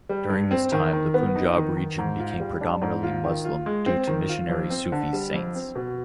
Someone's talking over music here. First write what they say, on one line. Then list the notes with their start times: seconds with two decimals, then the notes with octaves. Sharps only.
During this time, the Punjab region became predominantly Muslim due to missionary Sufi saints.
0.09 G3
0.30 G2
0.51 C4
0.72 D#3
0.93 D#3
1.14 B3
1.36 D#4
1.56 D#3
1.77 D#3
1.98 G#2
2.19 F4
2.40 G3
2.61 D4
2.81 G#2
3.03 F4
3.24 D#3
3.44 F4
3.66 G#3
3.86 C4
4.07 D#3
4.29 F4
4.49 F2
4.70 C4
4.92 D3
5.13 G3
5.34 F2
5.55 C4
5.75 B2